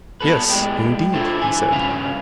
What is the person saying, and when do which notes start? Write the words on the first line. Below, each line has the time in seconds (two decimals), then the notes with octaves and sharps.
Yes, indeed, he said.
0.21 G3 B3 A4 B4
0.50 A2 G#3 G4
1.14 D4 E4 F4 A4 C5
1.39 E4 G#5
1.72 G2 C#3 C#4 B4 F5